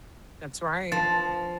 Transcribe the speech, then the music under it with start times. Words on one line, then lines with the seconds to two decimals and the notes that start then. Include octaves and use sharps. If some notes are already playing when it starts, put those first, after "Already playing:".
That's right.
0.92 F3 A6